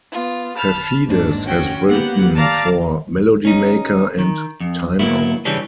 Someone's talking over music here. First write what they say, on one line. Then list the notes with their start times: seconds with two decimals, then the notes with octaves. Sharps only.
Paphides has written for "Melody Maker" and "Time Out".
0.11 B3 F4
0.57 A5 B5 F6
1.06 D#2 G#2 D4
1.45 C#4 F#4 G5
1.88 A#3 B3 G4 F#5 F#6
2.34 D5 F5 A5 A#5
3.45 C#4 D#4
4.19 D#3
4.60 F2
4.99 D2 G#2 F#3 A#3 B3 E4
5.45 C#3 E3 G3 C#4 D4